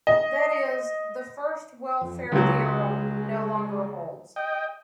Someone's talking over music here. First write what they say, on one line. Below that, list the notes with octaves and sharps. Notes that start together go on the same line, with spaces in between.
That is, the First Welfare Theorem no longer holds.
D#5
F2
C#2 F#3 G#3
D#5 G5